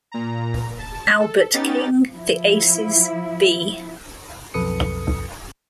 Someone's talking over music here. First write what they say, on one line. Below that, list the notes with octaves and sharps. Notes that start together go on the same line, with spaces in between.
Albert King, The Aces, B.
A#2 A#5
A5
A4
B3 C#4 D#4 G4 A6
F3 E4
B1 F2 A4 B4 D#6 C#7